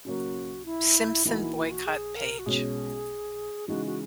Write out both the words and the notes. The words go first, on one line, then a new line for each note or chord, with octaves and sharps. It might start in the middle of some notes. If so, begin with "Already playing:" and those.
Simpson Boycott Page.
C#3 F#3 A#3 F#4
E4
E3 A#3 D#4 E4 F#4
E4
E4
F#4
G#4
A#4
F#4
B2 G#3 C#4 G#4
C#3 E3 G#3 D#4 F#4
F#4